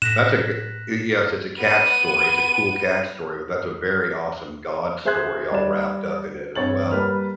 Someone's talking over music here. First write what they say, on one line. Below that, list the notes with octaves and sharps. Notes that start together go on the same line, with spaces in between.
that's a goo uh, yes, it's a cat story, it's a cool cat story, but that's a very awesome God story all wrapped up in it as well,
A2 F#6 A#6 B6 E7
B3 D#7
G#4 C5 E5 C6 F#6 G#6
G3 D5 E7
G2 C4 C#5 A6 F#7
G3 A#3 B4 F6